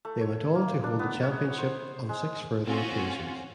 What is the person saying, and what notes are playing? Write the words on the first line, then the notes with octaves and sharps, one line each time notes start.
They went on to hold the championship on six further occasions.
A3
C#5
A#3
D4
B3
C#5
C5
G#3
C4 C#4 F4 F#4